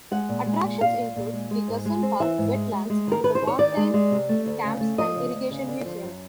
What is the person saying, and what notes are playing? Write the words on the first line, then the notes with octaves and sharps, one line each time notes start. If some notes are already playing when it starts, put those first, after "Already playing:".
Attractions include the Cussen Park wetlands and the Wartime Camps and Irrigation Museum.
G#3 F#5
A#2
G#3
A#2
A#2 F5
A#2
A#2
G#3
G#3
G#2
G#3
C4
E3 E5
G#2
G#3
G#3
G#3
D#3 A#4
D#3 B4
C5
D#3
C#5
D#3 D5
G#3
G#3
C3
A3
D2
C#3
A3
F3 D#5
C#3
D2
C#3
D3
F3
F#2